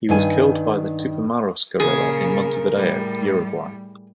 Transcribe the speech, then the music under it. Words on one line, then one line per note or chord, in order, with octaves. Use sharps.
He was killed by the Tupamaros guerrilla in Montevideo, Uruguay.
G2 D#3 G#5
A#2 C#3 G#4 A#4
A2 G3